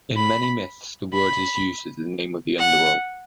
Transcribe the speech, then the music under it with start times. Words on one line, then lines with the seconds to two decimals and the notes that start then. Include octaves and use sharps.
In many myths, the word is used as the name of the Underworld.
0.16 B5
1.14 B5
2.59 F#5